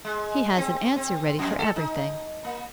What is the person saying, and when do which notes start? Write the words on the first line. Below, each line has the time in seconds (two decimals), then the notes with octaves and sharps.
He has an answer ready for everything.
0.05 G#3
0.57 C4
0.96 C4
1.39 F2
1.59 A4
1.76 D#4
2.45 A#3